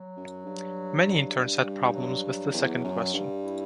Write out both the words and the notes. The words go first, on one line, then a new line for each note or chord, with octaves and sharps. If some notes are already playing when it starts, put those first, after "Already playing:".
Many interns had problems with the second question.
Already playing: F#3
F#2
G2
G3
F#3
F#3
E2
F#2
G2
E4